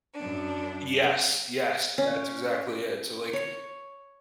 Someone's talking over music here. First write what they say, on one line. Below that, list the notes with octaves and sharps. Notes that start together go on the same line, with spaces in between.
Yes, yes, that's exactly it. So, like,
F#2 D4
C#4
C#5